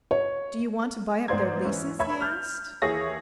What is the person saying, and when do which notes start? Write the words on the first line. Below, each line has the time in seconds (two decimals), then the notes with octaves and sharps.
"Do you want to buy up their leases?" he asked.
0.11 C#5
1.28 G#2 B3 C5 D5 C6 G#6
1.65 E3 C#4 E4
1.99 F1 C#5 E5 B5 G#6
2.21 F6 G6
2.82 D#2 E3 G#4 C#5 E5 A#6